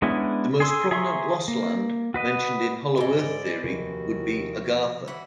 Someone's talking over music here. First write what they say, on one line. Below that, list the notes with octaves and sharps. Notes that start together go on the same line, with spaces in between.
The most prominent lost land mentioned in Hollow Earth theory would be Agartha.
G#3 B3 C#4 D4 E4
G#4 C6 E6
G#4 E5 A#5 C6 C#6
A#3
F#4 B4 D#5
G#2 E3 G#3 D5
D#2 C3 F3 F#4
E3 F#4 B5